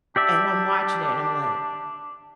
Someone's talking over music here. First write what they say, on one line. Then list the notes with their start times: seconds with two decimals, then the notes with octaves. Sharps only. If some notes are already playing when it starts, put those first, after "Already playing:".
And I'm watching it, and I'm like
0.16 D4 G4 D5 E5